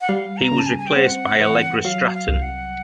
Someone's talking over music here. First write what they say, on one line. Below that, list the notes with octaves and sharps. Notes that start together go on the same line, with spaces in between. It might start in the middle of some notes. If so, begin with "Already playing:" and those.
He was replaced by Allegra Stratton.
F#5
G3 F5
A#5
C#3
A5
G#5
G#5
G5
C4 F#5
E3
F#3 F5
F5
C2
F#5